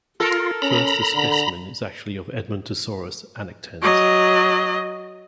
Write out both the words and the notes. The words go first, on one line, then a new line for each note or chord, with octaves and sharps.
First, the specimen is actually of "Edmontosaurus annectens".
F4 A4 A#4
C#4 A#5 B5
D3
F#3 D#5